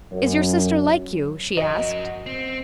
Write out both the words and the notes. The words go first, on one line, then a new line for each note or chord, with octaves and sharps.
"Is your sister like you?" she asked.
F#2
F#4 A#4 D#5
C4